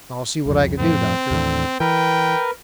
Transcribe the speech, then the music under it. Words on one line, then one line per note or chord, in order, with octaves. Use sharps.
"I'll see what I can do, Doctor."
C2 F2
F2 A2 F3 C4
D#2 A2 D3 E3
E3 A#4 B4 G5